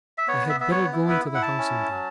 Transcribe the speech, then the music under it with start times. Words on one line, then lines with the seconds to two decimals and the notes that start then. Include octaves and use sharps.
I had better go into the house and die.
0.18 E5
0.27 B3 C#5
0.49 E5
0.60 B3 E5
0.71 C#5
0.93 E4
1.09 B4
1.25 E4
1.34 F#5
1.42 A5
1.58 C#4
1.90 F#3